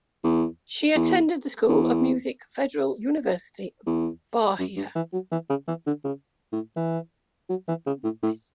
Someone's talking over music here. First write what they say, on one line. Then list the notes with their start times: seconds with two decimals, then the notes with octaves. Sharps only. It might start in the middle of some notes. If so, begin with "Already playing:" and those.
She attended the School of Music Federal University of Bahia.
0.23 E2
0.95 E2
1.69 E2
3.86 E2
4.59 F#2
4.76 G2
4.96 E3
5.13 F#3
5.32 E3
5.49 C#3
5.68 E3
5.86 D3
6.04 C#3
6.52 A2
6.76 E3
7.49 F#3
7.68 E3
7.86 C#3
8.04 A2
8.23 A2